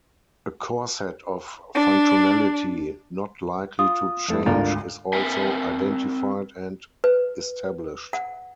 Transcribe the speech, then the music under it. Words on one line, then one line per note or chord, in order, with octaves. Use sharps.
A core set of functionality not likely to change is also identified and established.
D4
F4 D#6
F2 A3 E4
G#1 D2 D4 F4 A#4
C4 A#4 E5 G#5
B4
F#5